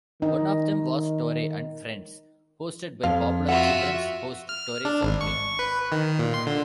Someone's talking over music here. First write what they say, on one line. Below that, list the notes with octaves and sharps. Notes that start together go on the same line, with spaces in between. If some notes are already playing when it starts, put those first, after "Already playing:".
One of them was "Torey and Friends", hosted by popular children's host Torey Southwick.
D#3 D#4
F2 F5
F4 F#4 E5 F#5
F6
D4
G#1
C#6
B4
D#3
A#2
C6
D3